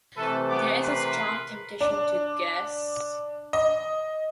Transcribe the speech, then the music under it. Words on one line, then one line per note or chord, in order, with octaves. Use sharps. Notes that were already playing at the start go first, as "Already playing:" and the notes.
There is a strong temptation to "guess".
C3 E3 A3 A4 B4
B3 D6
A#4 B4 C6
D4
D#5